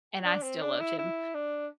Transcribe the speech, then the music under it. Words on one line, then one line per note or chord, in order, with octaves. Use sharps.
and I still loved him,
D4
C4
D4
E4
E4
D4